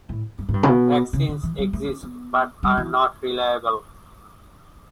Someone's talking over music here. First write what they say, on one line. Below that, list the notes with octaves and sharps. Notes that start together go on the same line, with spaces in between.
Vaccines exist but are not reliable.
A2
G2
A2
G2
C#3
B2
C#3
D3
E3
G3
A3
C#4
B3
G3
E3